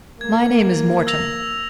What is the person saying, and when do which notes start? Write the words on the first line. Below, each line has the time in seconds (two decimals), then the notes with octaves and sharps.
"My name is Morton."
0.21 A#3 G#6
1.07 E6 A#6 F7